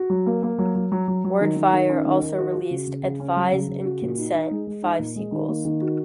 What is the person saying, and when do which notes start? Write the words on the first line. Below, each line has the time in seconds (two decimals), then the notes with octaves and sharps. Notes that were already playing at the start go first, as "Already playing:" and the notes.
WordFire also released "Advise and Consent" five sequels.
Already playing: F#4
0.10 F#3
0.26 A#3
0.43 A#3
0.58 F#3
0.75 F#3
0.92 F#3
1.08 F#3
1.24 F#3
1.41 D#3
1.56 D#3
1.73 D#3
1.89 C#4
2.06 D#3
2.22 D#3
2.38 F#4
2.55 F#4
2.71 C#3
2.87 C#3
3.03 C#3
3.20 C#4
3.36 F#3
3.53 C#3
3.68 C#3
3.85 F#4
4.02 A#2
4.18 D#4
4.34 D#4
4.51 G#3
4.67 G#3
4.82 D#4
4.99 A#2
5.16 G#3
5.32 D#3
5.48 A#3
5.65 D#3
5.81 F#4